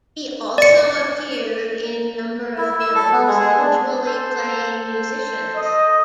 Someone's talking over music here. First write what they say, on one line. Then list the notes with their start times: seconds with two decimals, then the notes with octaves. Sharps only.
He also appeared in number of films, usually playing musicians.
0.58 D5 C#7
2.58 E4
2.80 E6
2.95 A4
3.12 B3
3.27 G#3
3.39 G#4
3.58 D4
4.06 A4 C5
5.55 D#5